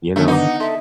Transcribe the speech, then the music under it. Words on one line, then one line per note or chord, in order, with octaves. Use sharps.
You know?
D3 D#3 A3 B3 D4
D#4 B4 F#5 D6
A4 E5 C6